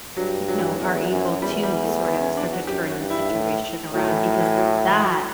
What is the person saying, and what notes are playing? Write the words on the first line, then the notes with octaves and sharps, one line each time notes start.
you know, are able to sort of start to turn the situation around because that
G2 F#3
F#3
E3
F#3
E2
F#2
E2 G3
G3
A3
B3
C#4
D4
F#4
F#2 G4
F#4
G2
E4
A2
A2 F#3
E3
F#3
E3
F#3
F#3
E3
F#3